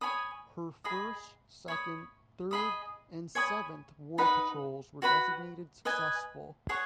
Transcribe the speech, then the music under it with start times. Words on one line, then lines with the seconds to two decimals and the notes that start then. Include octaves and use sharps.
Her first, second, third, and seventh war patrols were designated successful.
0.01 C#5 G#5 B5 D#6
0.84 G#4 D#5 B5 D#6
1.68 C#5 B5 D#6
2.51 G#4 D#5 B5 D#6
3.35 C#5 G#5 B5 D#6
4.18 D#4 B4 F#5 B5
5.02 F#4 B4 F#5 B5
5.85 B4 D#5 G#5
6.69 G#4 C#5 F#5 C#6